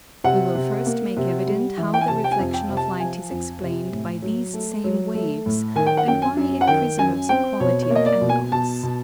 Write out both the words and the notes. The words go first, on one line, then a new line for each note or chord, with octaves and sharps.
We will first make evident how the Reflexion of light is explained by these same waves, and why it preserves equality of angles.
C3 F#5
C3
A#3
C3
G3
E3
G5
G#5
C3 A5
G5
G#5
F2
G5
C3
A5
F3 G#5
F2
C3
A2
F#3
A3
F#3
A3
A2
D#3 G#5
G5
F#5
F#2 G5
G#5
F#2
F#5
D#3 G5
F#2 G#5
C4 G5
B2 C#5
C#5
A#3
D#5
D5
B2
G#5
B2 A5
B2